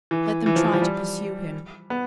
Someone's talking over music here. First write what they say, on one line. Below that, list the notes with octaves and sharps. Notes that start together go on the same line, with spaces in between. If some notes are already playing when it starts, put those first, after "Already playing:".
Let them try to pursue him!
E3
E3
F3
E3
F3
G3
B3